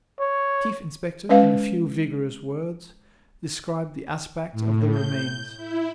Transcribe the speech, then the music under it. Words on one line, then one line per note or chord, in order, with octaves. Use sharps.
The Chief Inspector in a few vigorous words described the aspect of the remains.
C#5
G#3 C#4 B4 E5 F5
A2
G6
E4